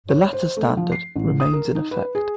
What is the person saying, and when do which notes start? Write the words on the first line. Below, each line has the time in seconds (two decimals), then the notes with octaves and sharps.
The latter standard remains in effect.
0.09 C#5
0.33 C5
0.57 A3
0.77 F3
0.92 C7
1.16 A1
1.40 D#6
1.53 A#4
1.75 D#4
1.91 B4
2.15 G#4